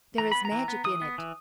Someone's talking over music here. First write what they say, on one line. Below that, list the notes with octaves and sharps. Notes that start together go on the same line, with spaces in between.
There is magic in it.
E3 A#5
B3 B5
A#5
E3
B3
E3 D#6
B3
E3